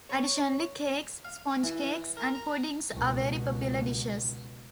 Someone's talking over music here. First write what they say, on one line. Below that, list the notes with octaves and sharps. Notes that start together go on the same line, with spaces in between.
Additionally, cakes, sponge cakes, and puddings are very popular dishes.
C#5
F5
E3
A#4
A#5
C#2 B2